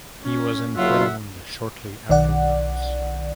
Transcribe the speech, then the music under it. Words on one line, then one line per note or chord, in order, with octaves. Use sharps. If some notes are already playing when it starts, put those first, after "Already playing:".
He was enthroned shortly afterwards.
C#4
F#1 F#3 F4 E5 F#5
B1 D#3 D5 F#5